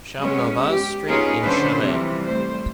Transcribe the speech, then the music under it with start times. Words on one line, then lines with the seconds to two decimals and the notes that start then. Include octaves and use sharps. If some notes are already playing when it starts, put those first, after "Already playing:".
Champnovaz Street in Challex.
0.20 G#3 B3 C#4
0.67 G4
1.07 B3 C#4 D#4 F4 G#4 A#4
1.42 D3 C#4 D4 A4 B4 C5
1.80 C3 E3 F3 G3
2.26 G3 A3 C5